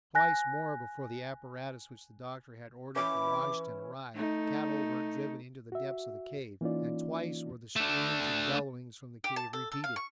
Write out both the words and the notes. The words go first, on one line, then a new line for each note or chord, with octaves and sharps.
Twice more before the apparatus which the doctor had ordered from Washington arrived cattle were driven into the depths of the cave, and twice were the screams and bellowings from the cave repeated.
G#5 F#6 A#6
E3 C#4 E4 D6
A3 D#4
F#4 E5
E3 A#3 C#4 D#4 F4 D5
A3 D4
G4
A5
A4
A4
F5
C#6